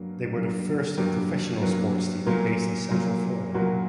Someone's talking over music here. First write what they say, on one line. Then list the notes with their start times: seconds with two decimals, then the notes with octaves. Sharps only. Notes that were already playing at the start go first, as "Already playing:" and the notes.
They were the first professional sports team based in Central Florida.
Already playing: G2 F#3 A#3
0.33 G2 F#3 A#3
0.97 G2 F#3 A#3 G4
1.61 G2 F#3 A#3
2.26 A#2 F#3 A#3
2.90 A#2 F#3 A#3
3.54 A#2 F#3 A#3 F#4